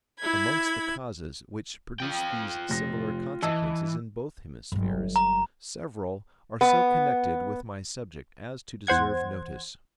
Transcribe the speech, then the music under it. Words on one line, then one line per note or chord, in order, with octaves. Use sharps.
Amongst the causes which produce these similar consequences in both hemispheres, several are so connected with my subject as to deserve notice.
E4 B5 G#6
F4 G5
F1 A#6
E3 D#5 A5 E6
G1 F#3
A#5
B3
E2 C5 F#5 G#6